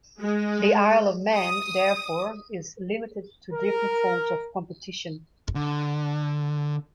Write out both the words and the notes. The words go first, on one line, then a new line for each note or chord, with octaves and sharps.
The Isle of Man therefore is limited to different forms of competition.
G#3
D#6
A#4
D3